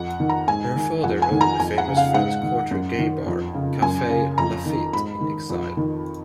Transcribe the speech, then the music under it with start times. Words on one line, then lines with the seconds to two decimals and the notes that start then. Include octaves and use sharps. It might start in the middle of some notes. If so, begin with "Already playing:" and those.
Her father owned the famous French quarter gay bar, Cafe Lafitte in Exile.
Already playing: F2 F#5
0.20 D#3
0.29 A#5
0.48 G#2 G#5
0.76 D#3
1.03 F2 F#5
1.22 G#5
1.31 D#3
1.41 A#5
1.60 F2 G#5
1.78 F#5
1.88 C#3
1.97 F5
2.14 G#2 F#5
2.43 D#3
2.71 F#2
2.99 D#3
3.26 F2
3.54 C#3
3.82 F#2 G#5
4.10 C#3
4.38 F2 A#5
4.66 D#3
4.93 G#2 B5
5.21 D#3
5.50 F2
5.77 D#3